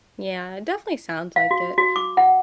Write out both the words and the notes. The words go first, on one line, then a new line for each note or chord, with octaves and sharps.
Yeah, it definitely sounds like it,
F5
F#4
F#4
D6
F#5